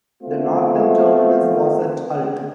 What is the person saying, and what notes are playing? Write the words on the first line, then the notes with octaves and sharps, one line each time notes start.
The northern terminus was at Alt.
A3 B3 C4 F4 F#4